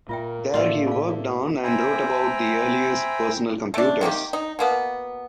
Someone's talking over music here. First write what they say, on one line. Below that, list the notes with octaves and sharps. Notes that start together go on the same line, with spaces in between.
There he worked on and wrote about the earliest personal computers.
A#2 F4 A#4 E5 G5
A2 A3 A#3 F4 G4 D5 F#5
G#4 F5
C5 E5 G5 G#5 A#5 B5
A3 D4
C3 D#3 A#3 G4
D#4
B2 A#3 B3